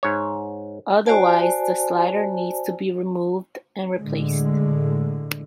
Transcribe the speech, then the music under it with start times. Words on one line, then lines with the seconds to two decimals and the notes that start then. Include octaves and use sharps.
Otherwise the slider needs to be removed and replaced.
0.03 G#2 C#5
1.06 F#4 C5 D5 G#5 A5
3.96 A2 D3 G#3